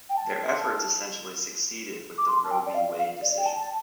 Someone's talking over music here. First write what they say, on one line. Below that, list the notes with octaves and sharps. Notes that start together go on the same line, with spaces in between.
Their efforts essentially succeeded with the "Roe v Wade" decision.
G5
A5
D6
C6
A5
G5
D5
F5
F5
D5
G5
A5
A5